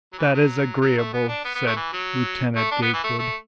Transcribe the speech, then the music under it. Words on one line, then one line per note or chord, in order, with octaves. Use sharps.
"That is agreeable," said Lieutenant Gatewood.
F#3
E3
F#3
F#3
A3
B3
D4
B3
B3
A3
E3
F#3
A3
D4
B3
E3
A3
A3